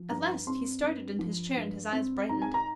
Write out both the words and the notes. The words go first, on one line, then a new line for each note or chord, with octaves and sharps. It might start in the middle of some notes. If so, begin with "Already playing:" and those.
At last he started in his chair, and his eyes brightened.
Already playing: F3
G2 A#5
C4 C6
G2
F3
G2
C4
G#2 A#5
G#5
A#5